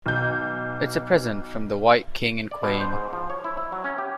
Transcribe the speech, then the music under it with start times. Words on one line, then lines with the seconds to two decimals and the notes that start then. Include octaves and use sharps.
It’s a present from the White King and Queen.
0.06 B1 G6
2.51 D5
2.63 B2
2.80 C5
2.93 G#2
3.13 F3
3.30 C#5
3.44 E4
3.57 E4
3.72 F#3
3.84 C#4
3.98 G4